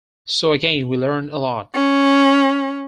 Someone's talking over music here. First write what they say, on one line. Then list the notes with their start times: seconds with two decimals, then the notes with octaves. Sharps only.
So again, we learned a lot.
1.74 C#4